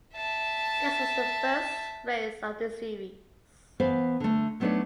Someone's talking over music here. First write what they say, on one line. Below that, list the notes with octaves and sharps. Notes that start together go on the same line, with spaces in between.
This was the first race of the series.
E5 A5
E3 B3 C5 F5
D3 A3
F#3 A3 B3 D4 D#4 C#5